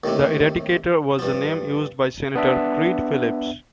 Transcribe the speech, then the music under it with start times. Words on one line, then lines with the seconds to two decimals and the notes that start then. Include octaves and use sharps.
The Eradicator was the name used by Senator Creed Phillips.
0.04 D#2 A2 C3
1.19 G2 F3
2.35 B3 D4 E5